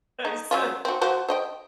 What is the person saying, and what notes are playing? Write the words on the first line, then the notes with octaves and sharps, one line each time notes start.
I said,
D#4
F#3 C#4 F4
C4 F#4
F3 F#4 C5
C5 D#5 G5